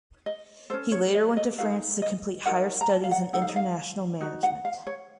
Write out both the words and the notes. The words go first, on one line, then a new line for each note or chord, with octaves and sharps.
He later went to France to complete higher studies in international management.
D#5
C#4 A4 C5
C#5
D#5
D#5
D#4 F#4 A4 F5
D#5
D#4 F#4 A#4 F#5
A#5
A5
F5
F#5
D#4 A4 F#5
F5
D#5
F5
D#4 F#4
F#5
F5
C#5